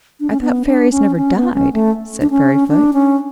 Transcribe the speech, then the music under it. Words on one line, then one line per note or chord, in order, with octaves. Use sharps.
"I thought fairies never died," said Fairyfoot.
D4
C#4
B3
D4
C#4
C#4
B3
C#4
A3
D4
C#4
D4
C#4